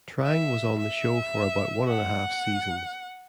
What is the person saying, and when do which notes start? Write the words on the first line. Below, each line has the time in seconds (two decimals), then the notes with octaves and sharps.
Trang was on the show for about one and a half seasons.
0.23 E5
0.79 E5
1.88 F#5